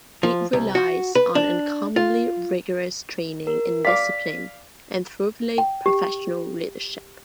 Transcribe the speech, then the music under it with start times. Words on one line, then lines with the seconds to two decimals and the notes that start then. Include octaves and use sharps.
It relies on uncommonly rigorous training and discipline and thoroughly professional leadership.
0.23 F3
0.53 C2
0.75 F#4
1.15 B4
1.35 D4
1.96 F4
3.47 A#4
3.85 D5 F5 D6 B6
5.58 G5
5.86 G4